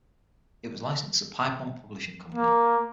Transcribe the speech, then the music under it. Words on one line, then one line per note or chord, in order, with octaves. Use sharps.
It was licensed to Piedmont Publishing Company.
A#3